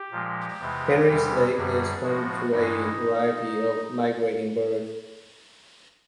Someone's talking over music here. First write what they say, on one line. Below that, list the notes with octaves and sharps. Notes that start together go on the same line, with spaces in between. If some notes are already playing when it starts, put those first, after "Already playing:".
Henrys Lake is home to a variety of migrating birds.
Already playing: G4
A#2 F3 G#3
E2 C3 E3 G#3
E2 C3 E3 G3
F#2 D3 G3 G#4
A2 F3 G#3 F#4
G2 E3 G#3 D#4